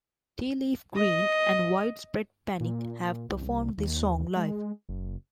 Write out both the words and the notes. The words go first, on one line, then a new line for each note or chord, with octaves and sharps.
Tea Leaf Green and Widespread Panic have performed this song live.
D#5
A#2
C2
D#2
G#3
F#1